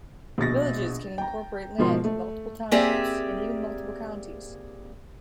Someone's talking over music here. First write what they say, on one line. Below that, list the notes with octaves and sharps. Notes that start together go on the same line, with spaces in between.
Villages can incorporate land in multiple townships and even multiple counties.
A#1 B2 A6 A#6
G5 A#5
G#2 B2 F3 A#4 C6
A3
A#3 C4 G4 G#4 D5 E5